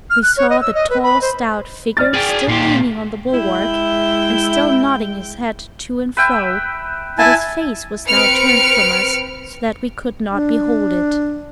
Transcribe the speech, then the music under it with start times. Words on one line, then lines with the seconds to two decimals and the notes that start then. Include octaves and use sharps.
We saw the tall stout figure still leaning on the bulwark, and still nodding his head to and fro, but his face was now turned from us so that we could not behold it.
0.10 F6
0.23 F#6
0.37 C#5
0.50 D#5
0.61 E6
0.75 D#5
0.90 B4
1.03 B5
1.22 C5
1.97 D5 F6 A6
2.14 G#4 G5
2.48 A#2 G4 C7
3.32 G#3 E4 G5
6.17 B4 E5 G5
7.18 E4 G#5 A5
8.07 C4 B4 F6 C#7 D7
10.30 D4